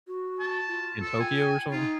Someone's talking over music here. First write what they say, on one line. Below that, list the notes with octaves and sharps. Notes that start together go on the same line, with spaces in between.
in Tokyo or something?
F#4
A5
F4
A4
G5 G#5
D#4 F4